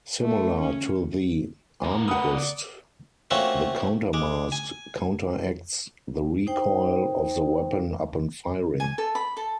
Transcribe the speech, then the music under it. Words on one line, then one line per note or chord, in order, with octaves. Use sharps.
Similar to the Armbrust, the countermass counteracts the recoil of the weapon upon firing.
A3
C#4
B3 A#4
B4 F#5 D#6
D5
A3 A#3 C4 C#4 F4 F#4
G#3 D6
G#5
D#4 C5 G5
G#5
A4
B5
A4